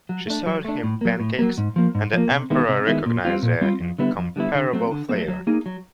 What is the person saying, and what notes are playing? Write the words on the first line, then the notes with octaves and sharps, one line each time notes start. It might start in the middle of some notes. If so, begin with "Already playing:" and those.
She served him pancakes, and the Emperor recognized their incomparable flavour.
F#3
A3 D4
F#3
A3 D4
A2
F#3 A#3
A2
F#3 A#3
G#2
F3 A#3
G#2
F3 A#3
C3
D#3 G#3 B3 E4
C3
D#3 G#3 B3 E4
A#2
G3 C4 F4
A#2
G3 C4 F4
F2
D3 G3 B3 E4
F2
D3 G3 B3 E4
D3
F#3 A3 C4
D3
F#3 A3 C4
F#3
A#3 D#4 G#4
F#3